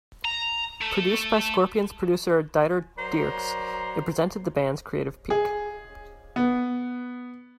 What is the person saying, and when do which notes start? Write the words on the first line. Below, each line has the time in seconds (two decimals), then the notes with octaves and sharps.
Produced by Scorpions producer Dieter Dierks, it presented the band's creative peak.
0.25 A#5
0.81 A3
2.98 F#3 A#4 C5 D5 A#5
5.30 G#4
6.36 B3